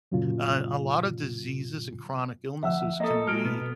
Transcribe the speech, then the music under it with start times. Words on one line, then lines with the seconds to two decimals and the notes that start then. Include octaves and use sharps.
uh, and a lot of diseases and chronic illnesses can be,
0.12 F#2 A#2 C#3 F#3 F4
2.63 D2 F3 E5 F#5 E6
3.00 C#2 A#3 A4 D#5 A#5 D#6
3.27 F#3 G#3 F6 D7
3.45 B2 B3